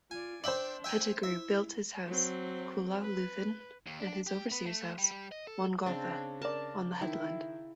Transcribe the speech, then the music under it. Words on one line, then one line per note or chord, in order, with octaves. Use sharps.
Pettigrew built his house "Coolaluthin" and his overseers house "Wongotha" on the Headland.
F4 D5 G#5
D4 C5 D5 E5 G5 F#7
E5 G5 G#5
E4 E5
F#3 C4
B4
D#2
D4
G4
B3
A3
G3
G3
D#5
A4
C#3 C4 D4
A#4 D5 A5
D#3 E4